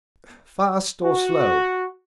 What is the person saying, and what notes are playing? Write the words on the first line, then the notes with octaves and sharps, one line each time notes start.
"Fast or slow?"
F#4